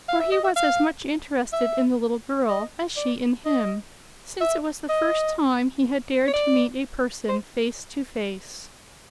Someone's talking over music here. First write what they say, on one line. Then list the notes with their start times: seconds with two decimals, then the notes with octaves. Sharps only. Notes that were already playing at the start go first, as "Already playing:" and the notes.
For he was as much interested in the little girl as she in him, since it was the first time he had dared to meet a person face to face.
0.09 F5
0.20 E5
0.32 D#5
0.44 E5
0.56 F5
1.53 E5
2.49 D#5
2.97 D5
3.45 D#5
4.41 E5
4.89 D#5
6.28 C#5
6.33 D5
7.29 C5